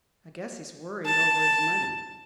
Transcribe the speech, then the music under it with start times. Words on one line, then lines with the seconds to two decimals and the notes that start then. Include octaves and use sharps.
"I guess he is worried over his money."
1.05 A5